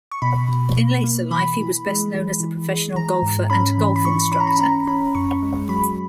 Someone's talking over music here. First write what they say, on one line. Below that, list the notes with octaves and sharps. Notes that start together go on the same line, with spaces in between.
In later life, he was best known as a professional golfer and golf instructor.
C#6
B2 B5
B2
A#3
A#3
E3 B5
E3
G#3
E3
E3
G#3
E3 A#5
G#2
C#4 B5
E3
B5
E3 C#6
C#4 B5
A#5
B5
C#4 A#5
C#4 B5
F#2 C#6
G#3
F#3 B5